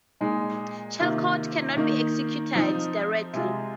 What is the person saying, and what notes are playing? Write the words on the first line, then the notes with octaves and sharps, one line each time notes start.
Shellcode cannot be executed directly.
A#2 G#3 D#4
C3 D#3 A#3 F4
D#3 A#3 D#4
F3 C4 D#4
C3 G#3 F4